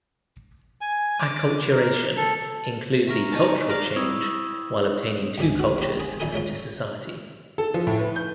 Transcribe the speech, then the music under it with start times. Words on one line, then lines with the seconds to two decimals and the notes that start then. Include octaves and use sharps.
Acculturation include the cultural change while obtaining two cultures and to society.
0.81 G#5
1.20 D6
1.71 A#4
2.16 A4
3.07 A#4 C#5 E5
3.32 D#4 C#5 G#5 A5
3.44 D5
3.69 A#4 D5 F5
3.96 C4 E4 C#6 D#6 E6 G#6
5.38 D2 G#2 D4 E5 G#5
5.59 F#4
5.78 E2 G4
6.00 G#4
6.20 E2 A#2 D#4 G#4 A#4 G#5
6.33 F4 A#4 C#5 E5
7.58 A4
7.74 F3
7.87 A2
7.99 B4
8.16 G6